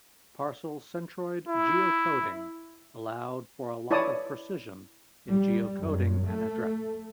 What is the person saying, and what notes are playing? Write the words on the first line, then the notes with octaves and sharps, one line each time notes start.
Parcel-centroid geocoding allowed for a lot of precision in geocoding an address.
E4
E4 C#5 D5 A5 D#6
G3
F#2
A3